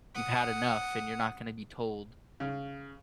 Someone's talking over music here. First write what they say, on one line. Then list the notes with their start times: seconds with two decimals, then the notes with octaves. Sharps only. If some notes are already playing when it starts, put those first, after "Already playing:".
you've had enough and you're not gonna be told
0.15 F#5 D#6
2.40 C#3